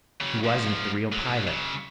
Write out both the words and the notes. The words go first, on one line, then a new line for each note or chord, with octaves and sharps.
He wasn't the real pilot.
C#3 F#3
G#2 F3
A2 F#3
C#3 F#3